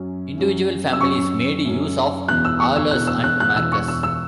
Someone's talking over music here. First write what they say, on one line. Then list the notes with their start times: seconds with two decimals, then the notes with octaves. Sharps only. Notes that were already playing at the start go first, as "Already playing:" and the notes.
Individual families made use of "Aulus" and "Marcus".
Already playing: F#2 F#3 C#4
0.37 F#2 F#3 C#4
0.93 E6
1.01 F#2 F#3 C#4 C#6
1.65 F#2 F#3 C#4
2.28 E1 E2 B2 F#6
2.45 E6
2.60 C#6
2.76 E6
2.91 E1 E2 B2 F#6
3.07 E6
3.24 F#6
3.40 F#6
3.55 E1 E2 B2 E6
3.72 C#6
3.88 E6
4.03 E6